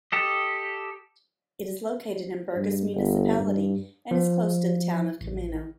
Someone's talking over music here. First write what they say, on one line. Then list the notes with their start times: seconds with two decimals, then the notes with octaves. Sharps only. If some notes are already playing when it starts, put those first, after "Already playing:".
It is located in Burgas Municipality and is close to the town of Kameno.
0.12 G4 A4 D#5
2.56 G2
2.95 G1
3.40 G2
4.11 F3
5.21 A1